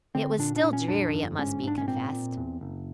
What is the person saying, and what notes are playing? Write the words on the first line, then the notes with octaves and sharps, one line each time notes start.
It was still dreary, it must be confessed.
D3 C4
A#2 D4
D4
A#2
C#4
F2 D4
G1
G#2 C#4
G#2 D4
C#4
A#2 C4
A#2
E2
F#1